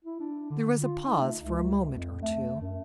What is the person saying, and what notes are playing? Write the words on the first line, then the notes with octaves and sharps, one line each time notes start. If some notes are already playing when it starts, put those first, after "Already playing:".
There was a pause for a moment or two.
E4
D4
D3
F4
D#4
A3
C#2
F2
A3
F#2